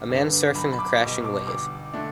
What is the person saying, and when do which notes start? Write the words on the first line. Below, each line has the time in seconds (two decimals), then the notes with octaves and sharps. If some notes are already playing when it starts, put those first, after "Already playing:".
A man surfing a crashing wave.
Already playing: G1 D6
0.09 G2 D3 B3
0.55 B1 B5
0.72 B5
0.79 D6
1.01 B2 D6
1.06 G3
1.25 D6
1.47 G1 D6
1.94 D3 A3 D4